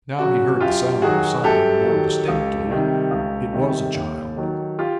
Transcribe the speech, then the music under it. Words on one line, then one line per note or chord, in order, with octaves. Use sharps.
Now he heard the sound of sobbing more distinctly; it was a child.
C#3 F#3 F#4
F#2 F4 G4
D#3 F#3 F#4 G#4
F#2 G4 A4
D#3 F#3
C#2
C3 D#3 G3
C#2
C3 D#3 G3
D#2
D#3 F#3
F4 G4